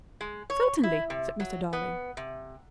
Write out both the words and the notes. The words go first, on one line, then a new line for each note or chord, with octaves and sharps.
"Certainly," said Mr. Darling.
G#3
C#5
E4
C3
F#3
B3
C3